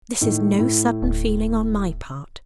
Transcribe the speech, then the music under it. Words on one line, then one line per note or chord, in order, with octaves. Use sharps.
This is no sudden feeling on my part.
A2 D#3
A2 E4
D1